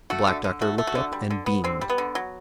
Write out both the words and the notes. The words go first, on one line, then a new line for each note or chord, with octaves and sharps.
The Black Doctor looked up, and beamed.
A3 F#4
D3
D3
A3 F#4
A3
F#4
D3
G3
D3
B3
D3 C4
G3
B3
D3
F#3